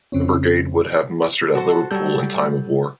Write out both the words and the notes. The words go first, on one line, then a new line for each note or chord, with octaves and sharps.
The brigade would have mustered at Liverpool in time of war.
F2 C#3 C4 C#4
F#4 A4 C5
F#3 G3 A4 G6